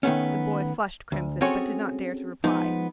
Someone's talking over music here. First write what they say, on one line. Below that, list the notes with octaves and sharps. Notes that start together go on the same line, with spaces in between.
The boy flushed crimson but did not dare to reply.
D#3 A3 B3 C#4
D2
C4 C#4 F#4 G#4 A4 C#5
F3 G#3 B3 D#4